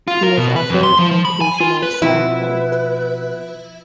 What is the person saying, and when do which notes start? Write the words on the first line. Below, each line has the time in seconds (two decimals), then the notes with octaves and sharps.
He is also an occasional Song Fight!
0.08 F4
0.23 A#4
0.37 B2
0.56 B4
0.70 F2
0.83 C6
0.99 F3
1.11 F3
1.25 B5
1.41 G#5
1.61 F4
1.83 B4
2.02 B2 F3 C4 E4 F4 B4